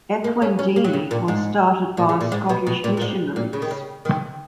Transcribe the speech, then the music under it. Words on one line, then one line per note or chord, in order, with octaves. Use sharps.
Ekwendeni was started by Scottish missionaries.
A#3
C#4
C#4
A#3
F#3
C#3
A#2
G#2
A#2
C#3
A#2
G#2
B2
B2
A#2
A#2
G#2
A#2
C#3
D#3
C#3
D#3